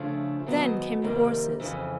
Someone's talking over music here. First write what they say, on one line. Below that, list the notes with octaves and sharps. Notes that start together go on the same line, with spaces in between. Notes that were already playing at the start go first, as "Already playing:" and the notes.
Then came the horses.
Already playing: C#3 F3 A3 D4
G#2 D#3 F#3 B3
F2 C3 D#3 G3 A#3
F2 C#3 E3